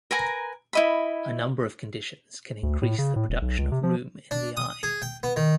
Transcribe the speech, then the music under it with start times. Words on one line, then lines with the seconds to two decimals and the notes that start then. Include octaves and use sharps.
A number of conditions can increase the production of rheum in the eye.
0.11 A#4 B4 G#5 A#5
0.73 E4 D#5 B5
2.63 D2
2.82 A2
2.98 C#3
3.16 A2
3.29 D#1
3.42 B1
3.58 C#2
3.72 C3
3.83 F3
4.31 D4
4.57 D#6
4.83 G#4
5.02 G5
5.23 B3
5.36 D#3